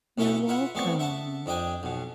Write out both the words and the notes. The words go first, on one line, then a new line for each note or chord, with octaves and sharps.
You're welcome.
B1 C#4 E4 A4 E5 F#5
F4 B4 E5 F#5
A1 A3 B3 C4 D5 C#6
E5 F#5 A5
F2 D4 D#5 G5 G#5
B1 B2